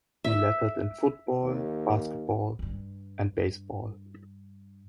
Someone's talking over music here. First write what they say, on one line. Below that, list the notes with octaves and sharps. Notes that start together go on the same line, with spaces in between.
He lettered in football, basketball and baseball.
E5
D#2
G2 D4